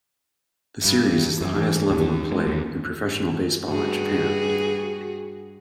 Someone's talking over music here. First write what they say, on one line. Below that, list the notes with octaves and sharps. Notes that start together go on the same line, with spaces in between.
The Series is the highest level of play in professional baseball in Japan.
G2
F#2
E3
D#2
G#3
D#2
G2 F#4 G#4